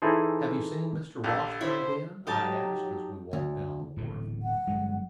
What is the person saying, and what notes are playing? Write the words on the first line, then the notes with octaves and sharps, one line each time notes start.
"Have you seen Mr. Washburn, Ben?" I asked, as we walked down the wharf.
E3 D#4 E4 G#4 A4 C5
A#1 G4 A4
E4 C5 C#5
F#3 D#4 G4 A5
D2
D1 E2 A2
F#5
G1 F#3 G#3